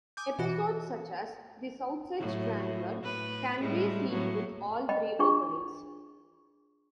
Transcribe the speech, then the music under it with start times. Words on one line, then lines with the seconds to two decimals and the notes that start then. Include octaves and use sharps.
Episodes such as "The Southside Strangler" can be seen with all three openings.
0.17 G#5 D6 D#6 G6
0.39 B2 E3 F#4
2.19 A2 F#3
3.03 A2 B4
3.60 A2 G3 G#3
4.09 A2 F#3 A#3
4.89 D#5 G5 B5
5.19 D4 F4 G#4 C#6